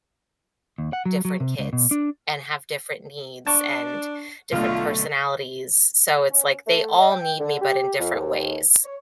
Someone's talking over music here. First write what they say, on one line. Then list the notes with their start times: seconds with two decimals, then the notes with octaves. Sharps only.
different kids, and have different needs and, different personalities, so it's, like, they all need me, but in different ways.
0.78 D#2
0.93 F#5
1.06 F#3
1.25 F#3
1.40 C3
1.59 C#2
1.73 B2
1.91 D4
3.47 D4 A5 C#6
4.52 B1 D3 A3 F4 F6
6.30 C#4
6.67 A3
6.98 D#5
7.11 G5
7.39 D3
7.61 G4
7.98 F2
8.14 D#2
8.84 C#5